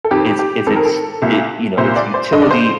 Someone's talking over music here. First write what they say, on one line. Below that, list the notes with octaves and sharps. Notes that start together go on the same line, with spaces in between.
Is is its it you know, its utility
A4
F2 D#3 G4
G4
F2 D#3 A4
A#4
A4
C2 A#2
C2 A#2 C5
D5
C5
G2 D3 D#5
D5
C5